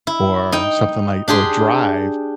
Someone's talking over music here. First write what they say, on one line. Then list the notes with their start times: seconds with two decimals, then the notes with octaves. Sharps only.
or something like or drive
0.07 E4
0.52 D#4 G5
1.28 D4 G4 G#4 C6